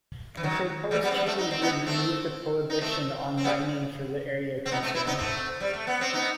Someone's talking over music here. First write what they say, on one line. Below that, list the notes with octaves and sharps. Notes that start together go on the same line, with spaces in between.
The proposed change would remove the prohibition on mining for the area concerned.
E3
D#3 F#3
E3 G3
G3 B3
C4
G3 B3
A3 C4
D#4
C4
B3 D#4
A3 C4
D#4
A3 C4
C4
G3 B3
C4
B3 D#4
A3 C4
C4 E4
B3 D#4
A3 C4
G3
A3
B3
C4
B3 D#4